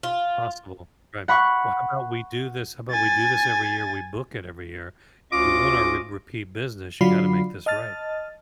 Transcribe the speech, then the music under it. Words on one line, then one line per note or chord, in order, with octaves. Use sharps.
Possible, right. Well how 'bout we do this how 'bout we do this every year, we book it every year. If you wanna re repeat business you gotta make this right.
F4
F#5 B5 C#6
G#5 A6
D2 C#4 F4 D#5 D6
D3 F#3 F4 D5 B5 C7
D#5 A5 F6 A6